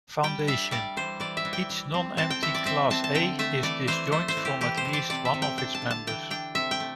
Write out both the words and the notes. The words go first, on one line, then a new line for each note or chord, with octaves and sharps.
Foundation: Each nonempty class "A" is disjoint from at least one of its members.
G3 G5
D4 E5
G3 D5
E3 C5
E3 D5
E5
E3
G5
E3
C4
C4 A5
G5
E3 E5
D5
C4 E5
C4 A5
A5
D3 G5
A3 E5
E3 D5
E3 C5
A3 C5
C5
E3
G4
E3 G4
C5
E3
D5
C3 D5
E5
C3
G5
D4 G5
A5
D3
A5
E3 G5
D4 G5
C3 E5
G5
A3